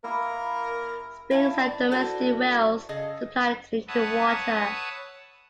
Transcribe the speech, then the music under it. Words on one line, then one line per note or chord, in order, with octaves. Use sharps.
Springs and domestic wells supplied drinking water.
A#3 E4 G4 A#4 B4
E4 E5 F5 A5
D5
D4 E4 F#4 A4 B4 C5
C#3 G#4 A4 D#5
B4 C#5 E5 F#5 A5 D#6